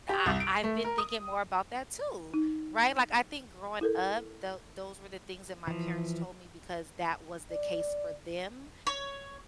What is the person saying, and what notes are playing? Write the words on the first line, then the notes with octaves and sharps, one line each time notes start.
I I've been thinking more about that too. Right? Like, I think growing up, tho those were the things that my parents told me because that was the case for them.
G4
C2
D7
A3
A#4
D#6
D#4
E4 A4 A#4
E3 F3
D5
C#5